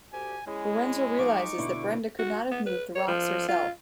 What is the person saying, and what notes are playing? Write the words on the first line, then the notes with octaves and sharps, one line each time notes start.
Lorenzo realizes that Brenda could not have moved the rocks herself.
D2 G4 G#5
G#3 C#4 E4 G#4
G#4
F3 D#4 C#6 D6
B2 D3 E4
F#4
B3
B4
C#5
F3
F4